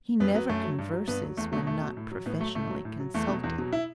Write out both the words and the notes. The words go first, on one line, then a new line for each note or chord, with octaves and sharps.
He never converses when not professionally consulted.
F#2 B3
F#3 B3
F#2 A3
F#3
G2
F#3
G2 B3
F#3
E2 A3
B2 F#3 A3
E2 A3
B2 F#3
A2
F#3
A2 B3
F#3 A3
A2 A3
F#3
A2
F#3
E2 A3
B2 F#3
E2
B2 F#3
E4